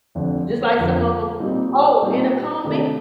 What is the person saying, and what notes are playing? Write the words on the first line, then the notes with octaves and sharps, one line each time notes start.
just like some of 'em Oh, in a comment,
F1 F2 D3 F3
F1 F2 D3 F3
A#2 G3 C4 D#4
A#2 G3 C4 D#4
C3 D#3 A3 D4 A4